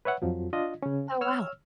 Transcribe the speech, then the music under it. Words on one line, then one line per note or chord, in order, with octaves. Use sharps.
Oh, wow.
B4 C#5 E5 F#5
F2 F3 F#3
D4 F4 D#5
C#3 C#4
C#5 E6 F6